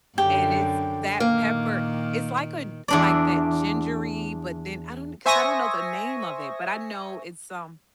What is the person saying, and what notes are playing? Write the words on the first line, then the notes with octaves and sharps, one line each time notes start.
and it's that pepper, it's like a d like that gingery, but then I don't 'Cause I don't know the name of it, but I know it's, um
F#2 D3 G4
A#2 D#3 A#3
E2 D4 D5
C5 E5 G#5 C#6 D#6 A#6